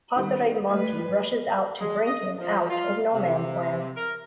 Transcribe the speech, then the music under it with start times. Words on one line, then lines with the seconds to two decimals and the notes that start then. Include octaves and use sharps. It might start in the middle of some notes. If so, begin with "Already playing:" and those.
Padre Monty rushes out to bring him out of No Man's Land.
0.16 D#3 G3
0.69 G#3 A3 B4
1.81 G#3
2.07 D#5
2.40 F3
2.70 F4
3.15 C3
3.97 A#4